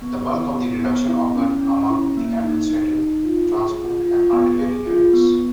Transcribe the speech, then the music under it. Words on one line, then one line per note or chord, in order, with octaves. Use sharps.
The bulk of the reduction occurred among the administrative, transport and artillery units.
B3
B3
B3
B3
E4
C#4
C#4
E4
A#3
D#4
D#4
D#4
F4
G#4
F4
F4
B3
G#4
F4
B3